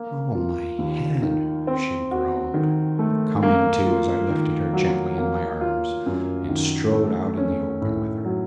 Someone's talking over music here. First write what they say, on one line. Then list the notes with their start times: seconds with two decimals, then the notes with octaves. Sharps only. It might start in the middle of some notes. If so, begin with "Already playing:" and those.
"Oh, my head!" she groaned, coming to as I lifted her gently in my arms and strode out in the open with her.
Already playing: A#3
0.34 F4
0.78 D#2
1.22 D#3
1.67 C4
2.11 F#4
2.54 D#3
2.99 A3
3.42 A#3
3.86 F4
4.30 D#3
4.73 F#3
5.18 A#3
5.61 F4
6.06 F#2
6.49 D#3
6.93 A3
7.37 C#4
7.81 A2
8.25 F#3